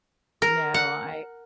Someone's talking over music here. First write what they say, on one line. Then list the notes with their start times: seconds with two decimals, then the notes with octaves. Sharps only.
No, I
0.42 A#4
0.74 F#5